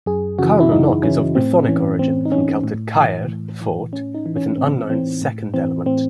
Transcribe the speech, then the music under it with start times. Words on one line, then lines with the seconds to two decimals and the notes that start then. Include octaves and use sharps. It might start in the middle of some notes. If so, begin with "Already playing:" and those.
Carmunnock is of Brythonic origin, from Celtic "caer" "fort" with an unknown second element.
0.06 F#2 G#4
0.39 C#3 E3 F#4
0.60 E4
0.71 F#2 D#4
1.04 C#3 E3 C#4
1.35 A2 C4
1.68 E3 C#4
1.99 A2 C4
2.25 D#4
2.32 E3 C#4
2.64 A2
2.97 E3
3.29 A2
3.61 E3
3.93 A2 C#4
4.15 D#4
4.26 E3
4.36 C#4
4.57 A2 C4
4.90 E3 C4
5.22 A2
5.54 E3 C4
5.86 A2 C4